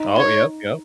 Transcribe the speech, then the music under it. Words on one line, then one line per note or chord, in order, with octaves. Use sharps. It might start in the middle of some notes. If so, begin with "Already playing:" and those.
Oh, yep, yep.
Already playing: D#4
C#5